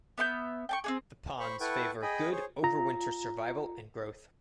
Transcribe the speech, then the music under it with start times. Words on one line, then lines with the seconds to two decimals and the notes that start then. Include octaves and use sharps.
The ponds favor good over-winter survival and growth.
0.18 B3 E5 C6 G6
0.69 G5 A5 C#6
0.84 C4 D4 G#4
1.40 C5 B5 C#6
1.60 E4 A4 B4 F#5 G5 C#6
2.02 G#4 D#5 G5 G#5 B5
2.31 G#4 C5 C#5
2.63 F4 A#5